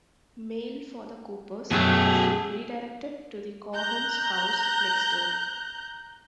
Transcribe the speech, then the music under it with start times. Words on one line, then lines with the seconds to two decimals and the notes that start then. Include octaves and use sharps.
Mail for the Coopers has been redirected to the Cohens' house next door.
1.71 F#2 B2 F#3 A3 G4 G#4 G#5 A5
3.74 A#5 F#6 G6